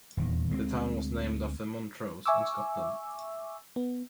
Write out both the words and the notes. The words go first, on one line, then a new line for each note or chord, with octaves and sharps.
The town was named after Montrose, in Scotland.
D#1 E2 D#3
D2 G#3 A#3 C4
E5 G#5 C#6 D6 E6
B3